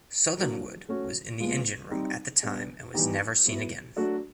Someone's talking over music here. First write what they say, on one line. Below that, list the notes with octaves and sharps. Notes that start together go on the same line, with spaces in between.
Southernwood was in the engine room at the time and was never seen again.
F#3 A#3 D4
A3 C#4 F#4
A#2 F3 G#3 B3
G3 C4 D#4
G3 B3 D4
E3 G3 B3 D#4 G4
F#3 B3 E4
F#3 A3 D4 F#4